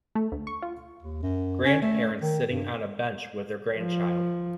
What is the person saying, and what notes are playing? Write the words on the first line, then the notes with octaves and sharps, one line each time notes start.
Grandparents sitting on a bench with their grandchild.
A3
D2
C#6
F4
D#2
F#2
C#4
A3
D#3
G2
F3